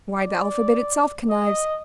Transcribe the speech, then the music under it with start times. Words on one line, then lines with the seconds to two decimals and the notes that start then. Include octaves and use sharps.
Why, the alphabet itself connives.
0.22 D5
1.30 D#5